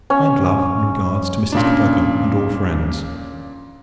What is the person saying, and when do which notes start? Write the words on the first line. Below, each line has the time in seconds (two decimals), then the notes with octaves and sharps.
Kind love, and regards, to Mrs. Cadogan, and all friends.
0.10 C#4
1.52 A#2 C#3 D4